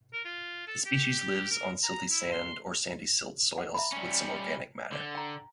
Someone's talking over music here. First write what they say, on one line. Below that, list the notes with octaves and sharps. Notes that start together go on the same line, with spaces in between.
The species lives on silty sand or sandy silt soils with some organic matter.
A#4
F4
A4
G4
A#4
A#5
E4
C6
F#5
E5 A#5 B5
G3 C#4
D3
G5 A#5